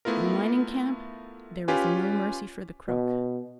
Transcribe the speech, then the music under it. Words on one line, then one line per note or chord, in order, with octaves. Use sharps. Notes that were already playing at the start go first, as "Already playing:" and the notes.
In a mining camp there is no mercy for the crook.
A3 B3 E4 F4 A#4
C#4 F4 G4 B4 G#5
B2